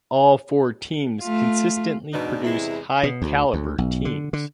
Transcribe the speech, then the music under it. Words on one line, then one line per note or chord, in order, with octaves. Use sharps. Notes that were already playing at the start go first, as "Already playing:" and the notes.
All four teams consistently produce high-caliber teams.
A3 F4
E2 G#2 B2 D4 D#4
E2 C3 G#3 E4
B2
D2
D2
B1
D3
D3